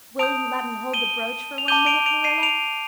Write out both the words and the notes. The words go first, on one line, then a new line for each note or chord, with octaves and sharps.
Will you let me hold the brooch for one minute, Marilla?
A5 D#6 G6 D7 F7
D#7 G7
F7
A5 D6 G6 D#7 G7
D7 F7
D7 F7
C7 D#7
D7 F7